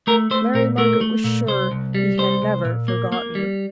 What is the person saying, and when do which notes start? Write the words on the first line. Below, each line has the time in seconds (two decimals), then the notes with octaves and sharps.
Mary Margaret was sure he had never forgotten!
0.07 A3 A#4
0.31 A3 C5
0.54 A#2 A#4
0.78 A3 A#4
1.01 A3
1.24 A#2
1.48 C2 C5
1.71 C2
1.95 G3
2.19 C2 C5
2.42 C2
2.65 A#2
2.88 A#3
3.12 A#3
3.35 G3